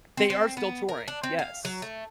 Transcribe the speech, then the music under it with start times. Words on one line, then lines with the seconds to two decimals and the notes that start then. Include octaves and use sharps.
They are still touring, yes.
0.17 C4
0.30 C4
0.57 B3
0.89 A#4
1.08 D4
1.23 C4
1.39 F5
1.65 F#3
1.82 A3